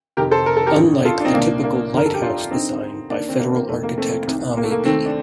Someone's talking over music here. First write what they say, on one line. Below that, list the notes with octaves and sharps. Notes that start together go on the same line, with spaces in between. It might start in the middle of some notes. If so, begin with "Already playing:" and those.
Unlike the typical lighthouse design by federal architect Ammi B.
F1 F2 C3 D#3 G4 A#4
A4 C5
A#4
A4
G4 A#4
A1 G2 D3
F4 A4
D4
C4 D#4
C2 A#2 A#3 D4
A#3 D4
G1 F2 D3 A#4
A4
G4
D4 F4
D2 D3 C4 D#4
D#2 D#3 A#3 D4
C4
A#3 D4
A#3
F1 F2 D#3 A3
A#3
A3 C4
C2 C3 D#3
A#3
A3
A#3
D#2 D#3 A3 C4
D4